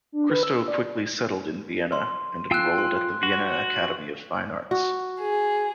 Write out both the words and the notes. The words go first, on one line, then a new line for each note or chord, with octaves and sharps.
Christo quickly settled in Vienna and enrolled at the Vienna Academy of Fine Arts.
D4
B4
E6
D5
C6
F4 G5 G#5 E6 F#6
C6
F#4
F#4
G#4